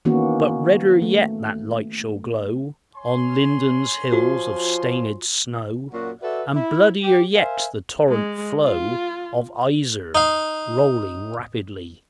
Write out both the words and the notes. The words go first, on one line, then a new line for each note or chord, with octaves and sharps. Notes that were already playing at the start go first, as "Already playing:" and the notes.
But redder yet that light shall glow On Linden's hills of stained snow; And bloodier yet the torrent flow Of Iser, rolling rapidly.
D#3 E3 A#3 B3 C#4 F#4
A3
C#5 G#5 C6
F3 F4 F#4
F#2 A#2 F#4
F#4 A4 B4 D5 E5
E4
G4
A#4 C5 E5 F5 G#5
G#3
F4
D#4 F5